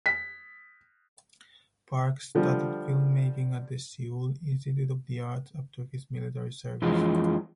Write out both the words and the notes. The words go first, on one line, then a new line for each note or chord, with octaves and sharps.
Park studied filmmaking at the Seoul Institute of the Arts after his military service.
B6
D3 F3 G3
F2 E3 F3 G#3